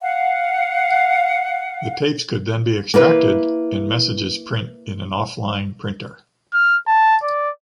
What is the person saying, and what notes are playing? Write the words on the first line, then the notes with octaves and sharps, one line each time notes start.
The tapes could then be extracted and messages print in an “off-line” printer.
F5 F#5
A#3 E4 B4
F6
A5
D5